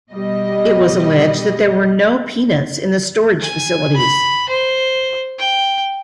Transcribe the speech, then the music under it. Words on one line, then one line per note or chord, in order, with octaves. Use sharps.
It was alleged that there were no peanuts in the storage facilities.
B2 G3 D#5
G#5
B5
C5
G5